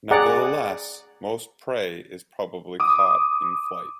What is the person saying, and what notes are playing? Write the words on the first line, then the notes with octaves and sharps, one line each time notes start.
Nevertheless, most prey is probably caught in flight.
G#4 D5 F#5 A#5
D6 D#6